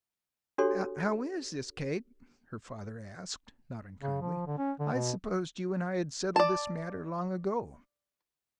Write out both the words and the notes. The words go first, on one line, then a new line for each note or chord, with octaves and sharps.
"How is this, Kate?" her father asked, not unkindly; "I supposed you and I had settled this matter long ago."
D4 F#4 G4 A4 C#5 C6
C#3
F3
D3
C#4
D3
B2
D5 A5